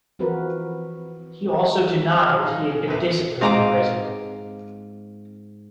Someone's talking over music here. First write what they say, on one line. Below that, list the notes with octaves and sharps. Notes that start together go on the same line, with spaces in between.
He also denied that he had been disciplined in prison.
E3 F3 C4 F#4 A#4 B4
F#3
D#4 F5
C#4
A#1 E2 A#4 B4 E5
G#2 C4 D#5 F5 A#5 D6